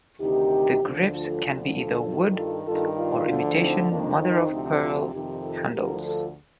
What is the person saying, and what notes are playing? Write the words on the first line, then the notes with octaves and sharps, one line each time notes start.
The grips can be either wood or imitation mother-of-pearl handles.
D2 C3 D#3 D#4 G4
D2 D3 F3
F4 A4
D2 D3 F3
F4 A4
G2 D#3
F4 A4
G2 D#3 F4 A4
D4 F4
D2 D3 F3
C4 D#4
F2 D#3 A#3 D4
C4 D#4
D2 C3 F3
D4 F4
F2 C3 D#3 D#4 G4
F4 A4
D2 D3 F3 G4 A#4
F4 A4